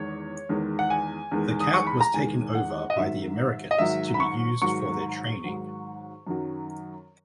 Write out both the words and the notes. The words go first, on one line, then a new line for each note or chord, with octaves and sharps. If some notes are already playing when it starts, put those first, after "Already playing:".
The camp was taken over by the Americans to be used for their training.
Already playing: E2 D#3 G#3 C#5
E2 D#3 G#3
F#5
G#5
E2 D#3 G#3
D#6
C#6
B5
A#5
E2 D#3 G#3 G#5
F#5
D#5
G#2 D#3 F#3 E5
D#5
G#2 D#3 F#3 E5
B5
C#6
G#2 D#3 F#3 C#6
G#2 D#3 F#3
F#2 D#3 F#3